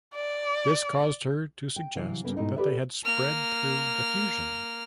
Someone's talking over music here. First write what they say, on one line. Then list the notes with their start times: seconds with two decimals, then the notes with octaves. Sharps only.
This caused her to suggest that they had spread through diffusion.
0.15 D5
1.76 G5
1.95 C3 E3 F#3 F#4 F5
2.25 G2 C#3 A#3 B3
2.37 G#2 B2 A3 C4 D#4 E4
2.56 G4 A4 B4 D5 E5
3.05 A#3 F6